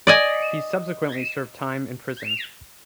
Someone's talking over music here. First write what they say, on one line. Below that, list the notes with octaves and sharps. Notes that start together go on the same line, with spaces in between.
He subsequently served time in prison.
D5 D#5 G#5